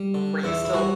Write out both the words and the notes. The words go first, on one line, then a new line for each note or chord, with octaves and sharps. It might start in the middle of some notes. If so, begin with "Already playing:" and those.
were you still
Already playing: G3
D3
E2 E4
E4
G3 F#4